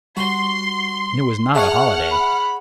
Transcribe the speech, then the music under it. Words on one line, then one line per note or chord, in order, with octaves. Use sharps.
And it was not a holiday.
G3 F#4 C6
G#4 C#5 E5 F#5 A5 C#6 F6
B5